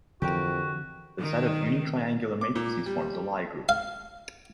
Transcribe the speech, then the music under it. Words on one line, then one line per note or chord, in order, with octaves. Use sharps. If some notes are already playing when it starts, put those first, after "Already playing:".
The set of unitriangular matrices forms a Lie group.
F2 D3 E3 F3 F#4 G4 A#4 G5
D#3
D6
A#2
G3
F5